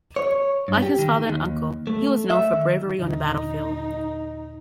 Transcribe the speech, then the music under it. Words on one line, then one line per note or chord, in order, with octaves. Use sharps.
Like his father and uncle, he was known for bravery on the battlefield.
C#5
G2
G4
D#3
D#2
A3
E5
D#3
D#1 D3 D#4